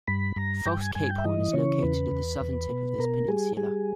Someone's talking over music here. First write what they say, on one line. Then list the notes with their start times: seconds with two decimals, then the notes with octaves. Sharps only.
False Cape Horn is located at the southern tip of this peninsula.
0.07 G2 B5
0.36 G2 A#5
0.66 G2 G5
0.81 G#5
0.95 G2 G#5
1.10 G5
1.18 E5
1.24 E3 D#5
1.53 C#3 C#5
1.83 E2 B4
2.11 E2
2.41 E2
2.70 B2
2.99 B2 A#4
3.28 G3 G#4
3.57 G3 G#4